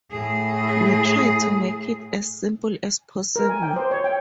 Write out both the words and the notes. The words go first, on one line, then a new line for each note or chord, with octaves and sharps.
We tried to make it as simple as possible.
A2 G#4
A#4
G#5
G5
C5
C#5
G5